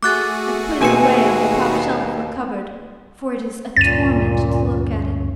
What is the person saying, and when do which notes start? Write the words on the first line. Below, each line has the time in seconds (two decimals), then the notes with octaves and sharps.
I've put it away on the top shelf of a cupboard, for it is a torment to look at it.
0.03 A3 F#4 G#4 D6 F#6 A6
0.81 D#2 B2 A#3 B4 G#5 C#7
3.77 D2 G2 A#2 C#4 A6 D#7